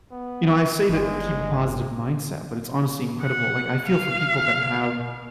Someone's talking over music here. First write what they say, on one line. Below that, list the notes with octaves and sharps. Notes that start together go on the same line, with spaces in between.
you know, I say to keep a positive mindset, but it's honestly incredible. Like, I feel for people that have
B3
G1 G#3
F#5
F5